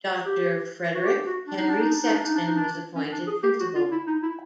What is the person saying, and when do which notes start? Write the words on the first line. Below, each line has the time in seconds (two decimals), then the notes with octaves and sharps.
Doctor Frederick Henry Sexton was appointed Principal.
0.26 G4
0.95 F#4
1.05 G4
1.26 F#4
1.47 D4
1.59 D#4
1.69 D4
1.80 D#4
1.91 D4
2.03 D#4
2.13 D4
2.25 D#4
2.35 D4
2.46 D#4
2.57 D4
2.96 C#4
3.12 D4
3.27 G#4
3.43 G4
3.60 F#4
3.75 F4
3.91 E4
4.07 D#4
4.22 E4